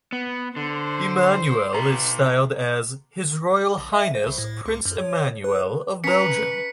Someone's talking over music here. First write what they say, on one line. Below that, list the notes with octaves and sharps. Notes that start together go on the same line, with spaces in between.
Emmanuel is styled as "His Royal Highness Prince Emmanuel of Belgium".
B3
D3 C5
B2 A#5
A#1
E5
C5
C2
A2
C#2
F#2
C#5
B4
C#4 B4 A#5 B6 C#7